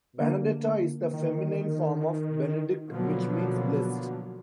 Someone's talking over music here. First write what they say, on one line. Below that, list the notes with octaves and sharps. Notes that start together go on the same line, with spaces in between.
Benedetta is the feminine form of "Benedict" which means blessed.
D3 A#3
D#3
B2 D3 F3 F#3 A#3 B3